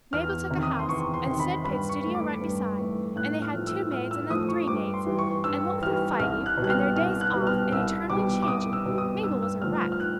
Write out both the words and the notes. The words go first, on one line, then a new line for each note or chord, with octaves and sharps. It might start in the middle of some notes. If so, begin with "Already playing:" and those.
Mabel took a house, and Sid paid studio rent beside, and they had two maids, and then three maids,--and what with their fighting, and their days off, and eternally changing, Mabel was a wreck.
E2 F6
C3 D#3
D#6
C6
E2 C#6
C6
C3 D#3
B5
G2 B5
C#6
E3 A3
D6
G2
E3 A3
A2 F#6
F6
F3 A3
E6
A2 F6
E6
F3 A3 D#6
C#6
G2 D6
C6
E3 G3
C#6
G2 E6
E3 G3 F6
C2 F6
F#6
B2
G3 F#6
F6
C2 F6
F#6
B2 G3
F6
C2 E6
B2 G3 D6
D6
C2 D#6
E6
B2 G3
D#6
G2 E6
E6
D3 F3 A3 F6
F6
F6
F#6